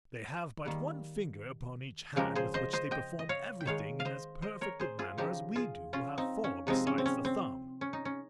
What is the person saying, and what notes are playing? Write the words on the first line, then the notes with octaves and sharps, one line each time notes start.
They have but one finger upon each hand, with which they perform everything in as perfect a manner as we do who have four besides the thumb.
D#3 G3 A#3
C#3 F3 G#3 G4 A#4
G#4 C5
C5 D#5
C5 D#5
D#5 G5
D#5
C#5 F5
G5
D#3 G#3 C#5 F5
F5
C5 D#5
C5 D#5
A#4 C#5
G#4 C5
F4 G#4
C#3 F3 G#3 D#4 G4
F4 G#4
C#4 F4
C4 D#4
C#4
C3 F3 G#3 C4 D#4
C#4
C4
C#4
C4
C#4
D#4
C#4